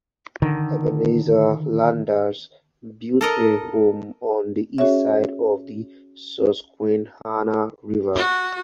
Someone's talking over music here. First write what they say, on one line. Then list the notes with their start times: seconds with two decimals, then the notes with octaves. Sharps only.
Ebenezer Landers built a home on the east side of the Susquehanna River.
0.42 D3 D#3
3.21 A4 A#4 D#5
4.78 C#4 F#4 G#4 C#5 E5
8.17 F#4